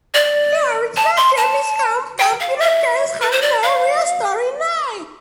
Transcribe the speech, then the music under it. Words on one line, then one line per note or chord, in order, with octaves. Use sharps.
The original Japanese home computer games had no real storyline.
D5
A5
C6
A5
G5
F5
E5
B4
C5
D5
F5